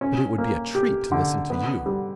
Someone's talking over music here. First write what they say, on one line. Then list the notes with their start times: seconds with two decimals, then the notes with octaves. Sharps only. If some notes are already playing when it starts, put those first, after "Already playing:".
But it would be a treat to listen to you.
0.01 C#4
0.38 A#3
0.75 G4
1.12 D3
1.50 B3
1.86 G3